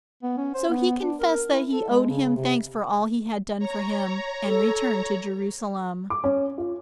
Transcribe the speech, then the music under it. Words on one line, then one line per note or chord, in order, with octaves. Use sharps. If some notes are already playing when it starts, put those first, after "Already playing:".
So he confessed that he owed him thanks for all he had done for him, and returned to Jerusalem.
B3
C#4
C5
B3
D4
A#4
E4
A4
G#3
C#3
C3
C#5 A#5
A4
D6
C#4
F4